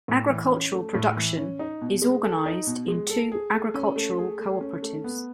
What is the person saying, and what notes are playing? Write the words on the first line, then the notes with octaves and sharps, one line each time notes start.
Agricultural production is organised in two agricultural cooperatives.
A2
E3
C#4
A3
A2
E3
C#4
D#4
B2
G#3
A4
D#4
B2
G#3
A4
G#4
A3
C#4
A3
G#4
A3
C#4
A3
B3